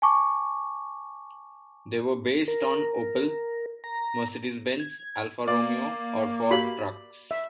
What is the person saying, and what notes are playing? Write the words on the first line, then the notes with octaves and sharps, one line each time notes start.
They were based on Opel, Mercedes-Benz, Alfa-Romeo or Ford trucks.
G#5 A5 C#6 D6
A#4
A#5
G#6
A#3 D5
F#4 G4 F5 B5
E5